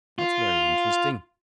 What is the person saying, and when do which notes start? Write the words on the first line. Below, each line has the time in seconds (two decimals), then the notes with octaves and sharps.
That's very interesting....
0.19 F4